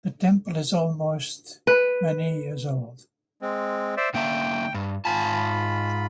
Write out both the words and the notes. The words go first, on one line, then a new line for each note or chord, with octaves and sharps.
The temple is almost many years old.
B4
G#3 C4
C5 D5 E5
D3 A#3 E5 G5
G2
G#2 F4 G#5 A5 B5